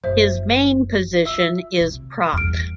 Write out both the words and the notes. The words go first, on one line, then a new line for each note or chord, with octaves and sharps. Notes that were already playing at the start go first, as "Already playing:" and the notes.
His main position is prop.
F#1 C5 E5
F4 E5 E6
C3
G1 E2 F6 D7